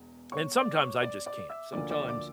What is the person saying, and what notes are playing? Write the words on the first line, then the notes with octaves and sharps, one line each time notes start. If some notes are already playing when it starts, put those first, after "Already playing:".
and sometimes I just can't, sometimes,
Already playing: E1 E2
C#5 C#6
D5 D6
C#5 C#6
D5 D6
D5 D6
E5 E6
D2 D3 F3 A#3 D5 D6
D5 D6
D5 D6